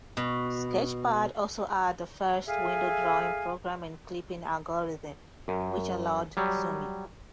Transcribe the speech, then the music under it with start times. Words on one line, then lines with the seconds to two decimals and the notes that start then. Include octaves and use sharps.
Sketchpad also had the first window-drawing program and clipping algorithm, which allowed zooming.
0.17 B2
2.48 G#4 A4 E5 F5 G#5
5.48 F#2
6.37 F#3 G3